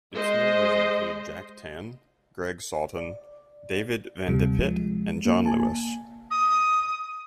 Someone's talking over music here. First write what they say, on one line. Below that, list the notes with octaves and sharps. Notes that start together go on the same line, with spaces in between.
Its members include Jack Tann, Greg Sawton, David Van DePitte and John Lewis.
G#3 C5 D#5
D5
D2 C3 G3
F3 G#3
A#3
G#5 A5
D#6